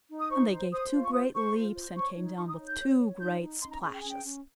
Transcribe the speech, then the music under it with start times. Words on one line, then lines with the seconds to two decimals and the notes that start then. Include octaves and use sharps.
And they gave two great leaps and came down with two great splashes.
0.10 D#4
0.19 D#6
0.30 C5 C#6
0.51 C5
0.71 C5 D#6
0.92 F4
1.03 C#6
1.12 C5 D#6
1.34 C5 C#6
1.54 F4
1.75 C5
1.95 C#5 C#6
2.16 D#4
2.37 D#4 C#6
2.48 D#6
2.58 C#5
2.69 G6
2.79 C#5
2.99 C#5
3.19 D#4 G6
3.41 D#4
3.62 C#4 C6
3.71 A#5
3.82 G#4 G#5
3.92 G5
4.01 C#4 G#5
4.10 G5
4.24 C#4